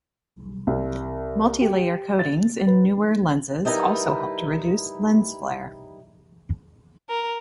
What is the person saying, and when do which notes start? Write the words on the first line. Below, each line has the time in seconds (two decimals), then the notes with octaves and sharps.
Multi-layer coatings in newer lenses also help to reduce lens flare.
0.67 C2
1.61 G4
2.19 A6
2.67 B4
3.65 G3 D#4 E4 A#4 B4
7.09 A#4